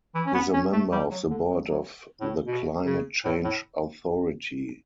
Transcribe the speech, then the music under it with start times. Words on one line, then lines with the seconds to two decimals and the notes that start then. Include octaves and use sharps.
He is member of the board of the Climate Change Authority.
0.15 E3
0.26 C#4
0.34 B3
0.53 C#4
0.73 A3
0.92 G3
1.11 F#3
1.30 D3
1.50 F#3
1.69 F#3
2.21 A2
2.47 B2
2.85 C#3
3.24 A2
3.44 A2